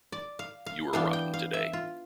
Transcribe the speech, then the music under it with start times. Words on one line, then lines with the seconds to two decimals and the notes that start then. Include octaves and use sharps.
You were rotten today.
0.12 D5
0.39 F5
0.66 F5
0.93 E3 B3 D4 F5
1.13 G5
1.34 F5
1.54 E5
1.73 F4